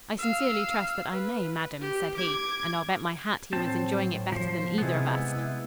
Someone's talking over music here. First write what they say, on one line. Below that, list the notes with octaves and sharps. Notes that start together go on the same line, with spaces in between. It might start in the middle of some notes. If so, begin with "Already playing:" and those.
'I sincerely trust that I may, madam,' said he, and I'll bet my hat he was enjoying it better than either of us.
F5 E6
B4
G4
D6 G#6
A2 F#3 C4 C5 A5
F3 C5
C3 G#3 B3 E4